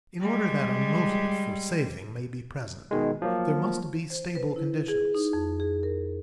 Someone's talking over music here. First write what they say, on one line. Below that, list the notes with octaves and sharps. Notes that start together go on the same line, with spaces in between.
In order that a motive for saving may be present, there must be stable conditions.
G3 G#3
B2 D#3 G#3
F3 F#3 A#3
C5
B4
E4
G#4
D#4
F2
G#4
A#4